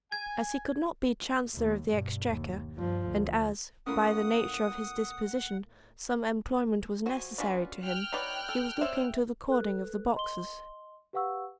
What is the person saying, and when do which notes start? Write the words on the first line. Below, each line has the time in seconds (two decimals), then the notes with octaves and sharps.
As he could not be Chancellor of the Exchequer, and as, by the nature of his disposition, some employment was necessary to him, he was looking to the cording of the boxes.
0.12 G#5 G#6
1.54 D#2
1.88 G2 B2
2.25 D#2
2.75 G2 F3
3.08 D2
3.86 A2 A#3 B3 C#4 A#4 F#5 D#6
7.06 F3 F#4 G#5
7.38 C#4 D4 F4 F#4 B4 D5
7.83 G5 F6 F#6
8.12 B2 D#4 B4 C#5 D5
8.49 A4
8.81 C4 D4 C#5 E5
9.48 A4 B4 F#6
10.15 D#5 C6 G7
11.13 G4 B4 F5 F#5 C#6 E6